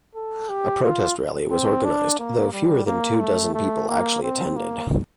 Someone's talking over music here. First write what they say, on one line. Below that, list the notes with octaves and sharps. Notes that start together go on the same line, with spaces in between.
A protest rally was organized, though fewer than two dozen people actually attended.
A4
G4
F4
C4
D4
A#3
G3
A#3
A3
A3
A#3
C4
A#3